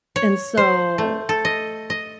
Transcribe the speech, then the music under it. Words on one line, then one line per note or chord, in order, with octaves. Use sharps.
and so
C#5
C5
A3
A4
D#5
D#5